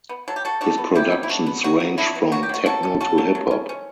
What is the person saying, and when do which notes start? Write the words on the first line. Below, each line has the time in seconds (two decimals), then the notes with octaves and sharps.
His productions range from techno to hip hop.
0.09 B3
0.28 F#3 A4
0.36 G4
0.45 F#3 F#4 A4
0.61 D4 F#4 A4
0.78 B3
0.95 F#3 E4 G4
1.12 F#3
1.23 E4
1.29 D4 F#4
1.47 B3
1.64 F#3 F#4
1.80 F#3
1.98 D4 E4
2.15 B3
2.32 F#3 F#4
2.43 G4
2.49 F#3 F#4
2.66 F#3 F#4 A4
2.83 C#4
3.00 C#4 F#4 A4
3.18 F#3
3.35 F#3
3.51 C#4
3.69 C#4